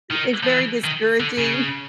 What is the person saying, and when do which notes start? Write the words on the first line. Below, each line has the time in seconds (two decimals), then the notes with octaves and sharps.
It's very discouraging.
0.11 D#3
0.44 F3
0.48 E3
0.85 D#3
1.20 D3
1.39 C#3